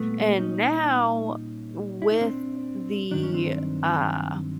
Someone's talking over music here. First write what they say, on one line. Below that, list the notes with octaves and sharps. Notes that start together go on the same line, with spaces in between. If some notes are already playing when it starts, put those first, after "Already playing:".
and now with the, uh,
Already playing: A#2 G3 A3 B3
C#4 D#4
E4
D#4
C4 D4
G2 D#3 F#3 D4
C#4
C4 D4